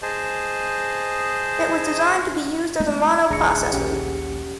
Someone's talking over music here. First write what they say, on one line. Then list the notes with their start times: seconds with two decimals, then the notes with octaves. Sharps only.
It is designed to be used as a mono-processor.
0.02 G#4 C5 D#5 A5
2.80 G#3 A3 B3
3.30 D1 A1 D4 G#4 A#5 C#7
3.72 A#1 D#2 C#4 G4 F#5